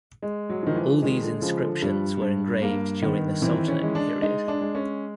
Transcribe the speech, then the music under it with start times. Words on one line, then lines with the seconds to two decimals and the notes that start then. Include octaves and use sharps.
All these inscriptions were engraved during the Sultanate period.
0.22 G#3
0.50 F#3
0.63 D#3 F3
0.76 E3
1.02 D#3 G#3
1.22 D3
1.42 C#3 F3
1.62 D3
1.82 G2 G3
2.22 G2
2.62 G2 A#3
3.02 D#3 B3
3.42 E3 C4
3.68 C#4
3.82 G#3
3.95 D4
4.22 G#3 D#4
4.48 D4
4.61 G#3
4.75 C#4